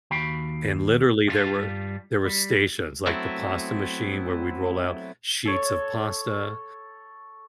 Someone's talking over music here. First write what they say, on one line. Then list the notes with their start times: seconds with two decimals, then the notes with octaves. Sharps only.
and literally, there were there were stations, like, the pasta machine where we'd roll out sheets of pasta.
0.11 D#2 F#4 F5 G5 B5
1.27 G2 G3 F4 F#4 A5
2.25 G3
3.07 F#3 A3 B3 C4 E4
5.45 A4 C#5